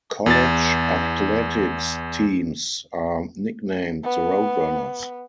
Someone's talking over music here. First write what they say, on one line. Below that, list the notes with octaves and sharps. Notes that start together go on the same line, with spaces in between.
College athletics teams are nicknamed the Roadrunners.
E2 A6
B3